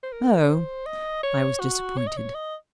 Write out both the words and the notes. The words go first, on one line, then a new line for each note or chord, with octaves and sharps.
"Oh!" I was disappointed.
C5
A#4
C#5
C5
D#5
C#5
F#4
C#5
D#5
C#5
D#5